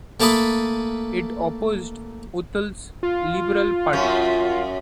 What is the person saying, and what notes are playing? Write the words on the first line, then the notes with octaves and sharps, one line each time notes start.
It opposed Utah's Liberal Party.
A3 A#3 A5 B5 D#6
F4
F#2 C#4